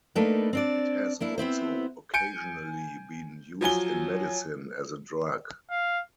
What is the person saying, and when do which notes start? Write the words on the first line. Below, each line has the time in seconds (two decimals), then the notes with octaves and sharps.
It has also occasionally been used in medicine as a drug.
0.15 A3 A#3 D4 D#4 A4 B4
0.53 C4 D4 D5
1.20 A#3 D4 E4
1.38 B3 C4 E4 C5
2.14 G#5 G6 C#7 D7
3.61 F3 F#3 G#5 G7
5.71 F5